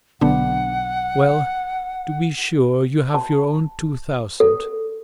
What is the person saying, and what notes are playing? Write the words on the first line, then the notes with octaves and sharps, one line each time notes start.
Well, to be sure you have your own two thousand.
B1 D3 B3 D4 F#5
A5
A4